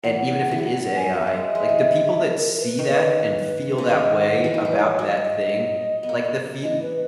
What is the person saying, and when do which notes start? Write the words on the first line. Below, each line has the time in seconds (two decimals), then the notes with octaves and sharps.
and even if it is AI, like, the people that see that, and feel that way about that thing, like, the fee
0.04 E3 F#5
0.51 E3
0.58 F#3 F#5
0.76 F#5
0.96 G#5
1.14 F#3 E5
1.27 G#3
1.55 G#3
1.69 E3
2.24 A#4
2.42 A#4
2.60 B4
2.79 D#3
3.78 C#3
3.89 D#3 D#5
4.03 D#5
4.16 F#5
4.30 B4
4.44 E3 B4
4.54 D#3
4.65 E3
4.71 C#5
4.99 F#3 D#5
6.03 B3
6.09 A#3
6.64 E3 D#5
6.82 B4